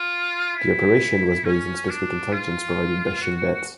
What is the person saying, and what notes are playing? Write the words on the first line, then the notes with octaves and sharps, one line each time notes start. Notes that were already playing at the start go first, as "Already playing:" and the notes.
The operation was based on specific intelligence provided by Shin Bet.
Already playing: F4
E4
C#4
D4
F4
F#4